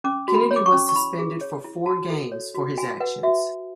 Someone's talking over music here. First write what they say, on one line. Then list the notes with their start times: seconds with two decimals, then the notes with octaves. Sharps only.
Kennedy was suspended for four games for his actions.
0.04 C#4 D6
0.28 F#4
0.35 B5
0.51 C#5
0.56 D6
0.66 C#6
0.73 C#4
0.89 C#6
0.96 E4 B5
1.19 G#4
1.41 C#5
1.64 E4
1.86 F#4 A5
2.10 A4
2.32 C#5
2.54 F#4
2.78 F#4 G#5
3.00 B4 F#5
3.23 F#4 E5